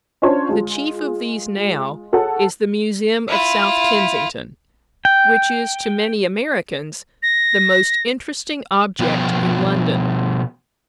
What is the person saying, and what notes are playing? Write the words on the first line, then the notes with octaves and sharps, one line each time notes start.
The chief of these now is the Museum of South Kensington, which is to many Americans the most interesting object in London.
C#4 D4 F4 C5 C#5 A5
G#3 F4
G#4 A4 C#5 F#5 A5
E4 F4
G5
A#6
B2 F3 B3 A#4 G5